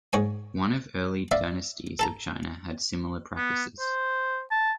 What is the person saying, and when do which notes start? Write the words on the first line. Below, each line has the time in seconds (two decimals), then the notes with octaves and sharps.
One of early dynasties of China had similar practices.
0.13 G#2 C#5 G#5
1.31 D5 E5 F5 B5
1.99 A4 A5 A#5
3.37 B3
3.79 C5
4.51 A5